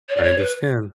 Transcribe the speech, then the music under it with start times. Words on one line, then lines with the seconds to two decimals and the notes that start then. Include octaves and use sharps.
I understand.
0.09 C#5
0.16 D5
0.23 C#5
0.39 B4